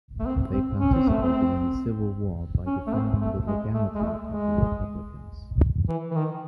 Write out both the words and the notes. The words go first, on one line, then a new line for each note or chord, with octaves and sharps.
They participated in the Civil War by defending the legality of the republicans.
A3
C4
C4
C#4
C4
A3
C4
C#4
A3
C4
A3
G#3
A3
G#3
A3
G#3
E3
E3
D#3